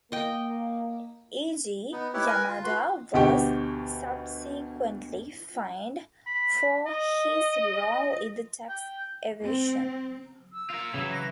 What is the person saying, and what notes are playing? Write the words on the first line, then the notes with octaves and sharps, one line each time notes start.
Eiji Yamada was subsequently fined for his role in the tax evasion.
A#3 D#5 G5
B3 D#4
D#4 E4 G4 B4 C#5
A#4 B4 G#5
F4
F#4 B4 C6
D2 B2 G4 G5 C#6
B5
D#5
G5
C4
E6
F4 A#4
C#3 E3 F#3 E4
A#6